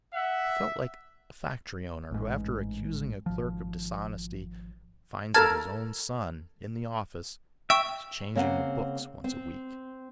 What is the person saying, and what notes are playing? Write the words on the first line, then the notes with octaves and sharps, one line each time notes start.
He felt like a factory-owner who after accusing a clerk of dishonesty finds that his own son, in the office, is changing the books once a week.
E5 F#5
A1 G#2
G#1 F3
A4 A#4 A5 F6 G#6
E5 G5 C#6 E6
C#3 A#3 C4 F#5
C4